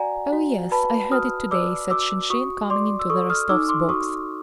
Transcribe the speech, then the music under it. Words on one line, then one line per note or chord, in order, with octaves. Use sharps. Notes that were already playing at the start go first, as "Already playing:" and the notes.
"Oh yes, I heard it today," said Shinshin, coming into the Rostovs' box.
Already playing: F#4 D5 F#5 G#5 A#5
F#4
B4 A5 B5
F#4 D#6 F6
D5 D6 E6
F#4 D6 E6
F#4 C#6 D#6
D5 C6 D6
E6
A4 C#6 D#6
D#6 F6
D#4 D6 E6
C6 D6
F#4 C#6 D#6